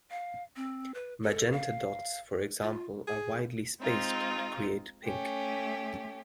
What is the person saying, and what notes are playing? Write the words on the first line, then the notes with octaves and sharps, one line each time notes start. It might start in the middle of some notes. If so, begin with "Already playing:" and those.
Magenta dots, for example, are widely spaced to create pink.
F5
C4
B4
A4
F5
F4
G#4
G#3 C4 D#4 F4
A3 C#4 G4